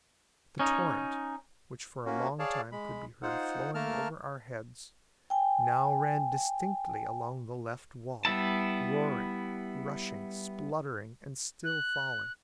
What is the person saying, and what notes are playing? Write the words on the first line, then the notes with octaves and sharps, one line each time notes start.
The torrent, which for a long time could be heard flowing over our heads, now ran distinctly along the left wall, roaring, rushing, spluttering, and still falling.
C#4 D#4
A#3 C#4 F#4
G#4 C#5 D5 F5 A5
G#3 B5
D#4 F4 C5 F#5
A3 A#3 A#4 A5 F6
G5 G#5
G3 B3 E4 A5
F#6